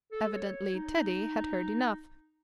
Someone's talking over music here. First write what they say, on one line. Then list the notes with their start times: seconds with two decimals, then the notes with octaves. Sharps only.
Evidently Teddy had heard enough.
0.12 A4
0.33 C#5
0.74 D#4